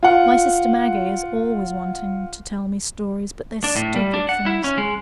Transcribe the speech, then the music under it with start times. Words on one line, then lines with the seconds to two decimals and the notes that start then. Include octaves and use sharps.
My sister Maggie is always wanting to tell me stories, but they're stupid things.
0.03 F4 F#5
3.64 D4
3.76 A2
3.96 G3
4.14 D4
4.29 F#5
4.46 E4
4.64 C#4
4.78 G#3